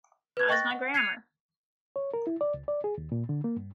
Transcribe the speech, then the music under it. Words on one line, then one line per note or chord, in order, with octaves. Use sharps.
How is my grammar?
B4 G#6
D#5 G5 C#6 F#6 A6 A#6
F#5
G#6 C7 C#7 D#7 F7
C#5
A#4
E4
D5
C#2
D5
G#4
D#2
A#2
D3
A#3
G2